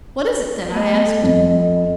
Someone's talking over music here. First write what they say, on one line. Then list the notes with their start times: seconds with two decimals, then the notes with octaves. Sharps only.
"What is it, then?" I asked.
0.72 A3 B3 D#5
1.06 A4 D#5
1.23 F2